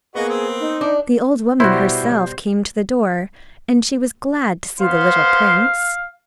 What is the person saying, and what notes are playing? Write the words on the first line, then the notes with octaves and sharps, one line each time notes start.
The old woman, herself, came to the door, and she was glad to see the little prince.
A#3 B3 F#4 G#4 D#5
C4
D#4
D4 D6
B2 G3 E4 F#4 C5
B3 C5 F5 C6